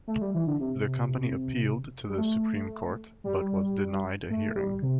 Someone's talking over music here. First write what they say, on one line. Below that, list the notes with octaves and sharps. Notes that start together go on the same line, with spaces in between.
The company appealed to the Supreme Court, but was denied a hearing.
A3
G3
E3
D3
C3
G3
A3
G3
A3
G3
C3